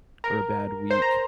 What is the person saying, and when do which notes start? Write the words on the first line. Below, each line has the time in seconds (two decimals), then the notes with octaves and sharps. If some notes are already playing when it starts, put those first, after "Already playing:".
or a bad week,
0.24 A#4
0.90 C5
1.02 A#5